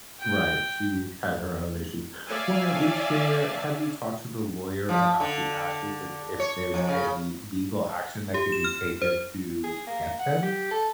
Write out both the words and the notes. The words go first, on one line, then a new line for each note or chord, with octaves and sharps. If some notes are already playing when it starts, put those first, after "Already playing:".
Right. She had her own issues. Well, now is there have you talked to the lawyer about the ashes and if there's any legal action that could be taken to get them?
G5
C#5 D5 E5 F5 G#5 A5
F3
D3
C#5
F2
C#3
G4
E7
F6
C5
G#4
A#3
F#5
G4
A4